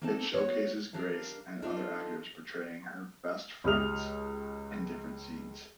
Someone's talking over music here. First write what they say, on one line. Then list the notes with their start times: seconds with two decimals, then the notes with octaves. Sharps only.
It showcases Grace and other actors portraying her "best friends" in different scenes.
0.02 A#3 C4 D#4 A4 G5 A5
0.34 F#4 C#5
0.93 G3 D4 A#4 F5
1.62 D4 D#4 F4 A4
3.64 C#2 G4 D#6 F6 F7